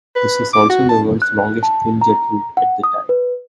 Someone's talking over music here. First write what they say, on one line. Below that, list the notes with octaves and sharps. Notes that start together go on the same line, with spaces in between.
This was also the world's longest twin-jet route at the time.
B4
D6
F#4
A5
F#6
A5
A#5
F#5
D#6
B4